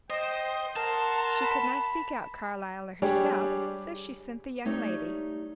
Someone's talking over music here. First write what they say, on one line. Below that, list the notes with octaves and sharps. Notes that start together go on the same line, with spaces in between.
She could not seek out Carlyle herself, so she sent the young lady.
C5 D#5 G5
A#4 F#5 A5 C6
B5
G3 D4 G4 G#4 C#5
G3 A3 D#4 C#5